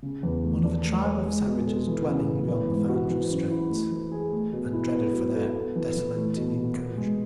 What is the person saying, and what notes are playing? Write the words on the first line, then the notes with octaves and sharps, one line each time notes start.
One of a tribe of savages dwelling beyond the Financial Straits and dreaded for their desolating incursions.
C#3
E2
A3
D4
A3
C#5
G#3
B2
A4
E3
C#3
B3
E3
G#2
F#4
E3
F#2
E4
A3
E3
G#4
A3
B2
E4
B3
F#3
A4
B3
E3
E3
A3
B2
F#4
B3
G#3